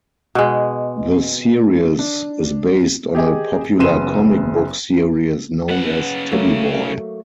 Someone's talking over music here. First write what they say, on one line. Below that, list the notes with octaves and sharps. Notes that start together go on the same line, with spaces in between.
The series is based on a popular comic book series known as "Teddy Boy".
B2 G#3
D4
G4 G#4 D#5 G#5
F#1 B3 C#4 C6 D#7 E7
C#3 B3 F#5
F#3 A3 A#3